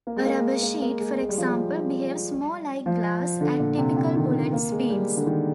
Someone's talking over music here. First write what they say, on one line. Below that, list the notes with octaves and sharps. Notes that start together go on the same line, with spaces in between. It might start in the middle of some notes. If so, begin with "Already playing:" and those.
A rubber sheet, for example, behaves more like glass at typical bullet speeds.
A#3
G#3
A#3
A#3
A#3
G#3
G#3
G3
F3
G3
F3
D3
A#2
C3
C3
D#3
A#3
G#3
G3
D3
D#3